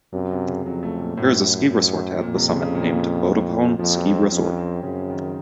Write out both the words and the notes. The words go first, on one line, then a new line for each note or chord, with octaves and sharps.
There is a ski resort at the summit, named Vodafone Ski Resort.
F#2 C3
C3
C#3
F2 F#3
A3
A#2
F#2 A2
F#2
F2 A#2
C3
C#3
C#3
A#2
F2 F3
F#3
C4
F2 C#4
C4
F#2 C#3
C#3
D#3